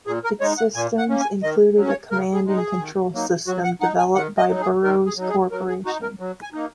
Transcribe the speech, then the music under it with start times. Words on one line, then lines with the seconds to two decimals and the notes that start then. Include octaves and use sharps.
Its systems included a command and control system developed by Burroughs Corporation.
0.07 A#2 G#4
0.24 A#4
0.41 G#3 D#4 C#5
0.58 F#5
0.75 A#2 G#5
0.98 F#5
1.09 A#3 C#4
1.20 G#5
1.43 D#3 D#5
1.77 F#3 C#4
1.89 C#5
2.11 C#3 A#4
2.33 G#4
2.45 G#3 D#4
2.56 G#4
2.79 D#3
3.14 F#3 A#3 D#4
3.47 F#3 F#4
3.64 F#5
3.81 D#4 F#5
3.99 G#5
4.15 D#3 F#5
4.38 D#5
4.50 F#3 D#4
4.61 G#4
4.84 D#3 A#4
5.06 G#4
5.17 F#3 D#4
5.29 G#4
5.51 F#3 A#4
5.69 G#4
5.86 D#4 F#4
6.02 A#4
6.20 F#3
6.42 G#5
6.53 A#3 D#4